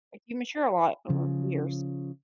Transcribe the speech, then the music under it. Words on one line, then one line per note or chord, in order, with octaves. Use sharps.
Like, you mature a lot over years.
C#3 F3